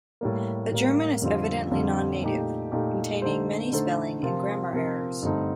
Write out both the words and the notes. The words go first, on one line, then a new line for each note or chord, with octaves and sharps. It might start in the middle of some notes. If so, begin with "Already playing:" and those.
The German is evidently non-native, containing many spelling and grammar errors.
A2 G3 A#3
A2 G3 A#3
F2 D3 G3 C4 F4
F2 D3 G3 C4 F4
A#2 A3 D#4 G4
A#2 A3 D#4 G4
D3 A3 D#4 A4 C5
D3 A3 D#4 A4 C5
C3 F3 C4 F4 A#4
C3 F3 C4 F4 A#4
G2 D3 A3 C4 D#4